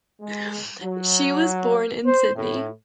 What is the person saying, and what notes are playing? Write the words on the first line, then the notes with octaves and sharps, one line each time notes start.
She was born in Sydney.
G#3
F#3
C5
A2